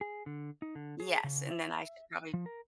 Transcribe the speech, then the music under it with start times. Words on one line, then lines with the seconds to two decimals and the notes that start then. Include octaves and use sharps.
Yes, and then I should probably
0.01 G#4
0.26 D3
0.62 D#4
0.75 D3
1.00 G#4
1.24 C#3
1.51 E5
2.34 F3
2.46 A#4